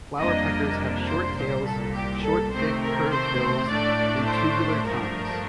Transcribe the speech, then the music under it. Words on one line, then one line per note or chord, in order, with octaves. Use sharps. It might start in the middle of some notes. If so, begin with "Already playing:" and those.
Flowerpeckers have short tails, short thick curved bills and tubular tongues.
F2 C3 G3 A#3 D4 D#5
C5
C2 A#2 G3 C5
A4
G4
A4
C3 D#3 A3 C4 C5
A#4
C5
A2 A3 D4 D5
C5
G2 F3 A3 D4 A#4